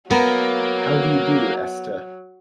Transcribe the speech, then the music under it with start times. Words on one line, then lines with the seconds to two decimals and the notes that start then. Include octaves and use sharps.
How do you do, Esther?
0.11 F#3 A#3 B3 A#4